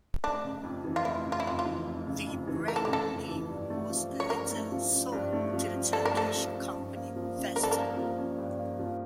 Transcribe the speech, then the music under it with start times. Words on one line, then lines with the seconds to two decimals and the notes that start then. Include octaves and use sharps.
The brand name was later sold to the Turkish company Vestel.
0.24 F1 D4
0.44 C#3
0.64 F2
0.84 E3
0.96 F4
1.05 F1 E4
1.25 C#3
1.32 F4
1.40 E4
1.46 F2 F4
1.59 F4
1.66 E3
1.87 F1
2.07 C#3
2.27 F2
2.47 E3
2.67 F1 A#4
2.76 A4
2.85 G4
2.88 C#3
2.93 A4
3.08 F2
3.29 E3
3.49 G2
3.70 A3
3.90 F3
4.11 C#4
4.20 C#5
4.30 G2 A#4
4.51 A3
4.72 F3
4.91 C#4
5.12 G2
5.32 A3
5.53 F3
5.74 C#4
5.93 G2 A4
6.05 A#4
6.14 A3 A4
6.35 F3
6.55 C#4
6.75 G2
6.96 A#3
7.16 F3
7.36 C#4
7.56 G2 A#4
7.63 A4
7.71 A#4
7.77 A#3
7.97 F3
8.18 C#4
8.38 G2
8.58 A#3
8.79 F3